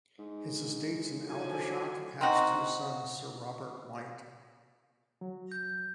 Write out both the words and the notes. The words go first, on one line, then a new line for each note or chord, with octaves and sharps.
His estates in Aldershot passed to his son Sir Robert White.
G#2
A2 F3 F#3 D4 G#5
C4 D#4 F#4
F#3
G6